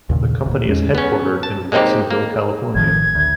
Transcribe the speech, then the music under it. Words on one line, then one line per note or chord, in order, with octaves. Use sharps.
The company is headquartered in Watsonville, California.
D#2 A#2 C#3
D2 A#2
E2 G#3 C#4
B3 C#4
A5
G#3 A#3 C4 D#4 G4
A#3
A1 D#3 F3 G#6
D2